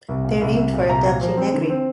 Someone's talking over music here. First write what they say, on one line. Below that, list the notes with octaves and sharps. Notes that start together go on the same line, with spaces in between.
They are named for Adelchi Negri.
C2
A#2
C2
C2
A#2
C2 A#5
A#2
F3
C4
D3
C4